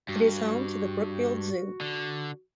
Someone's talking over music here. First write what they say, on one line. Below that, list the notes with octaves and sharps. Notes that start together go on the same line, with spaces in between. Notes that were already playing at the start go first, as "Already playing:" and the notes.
It is home to the Brookfield Zoo.
G2 F#4
D3